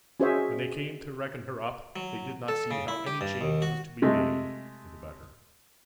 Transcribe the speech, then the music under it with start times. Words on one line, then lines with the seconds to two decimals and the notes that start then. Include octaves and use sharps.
When they came to reckon her up they did not see how any change was to be made for the better.
0.20 C#4 F#4 G#4 C5 C#5 E5
1.96 F#3
2.48 A4
2.71 C#3
2.88 E4
3.07 G4
3.21 G2
3.41 D#2
3.62 F#4
4.02 C3 G#3 A3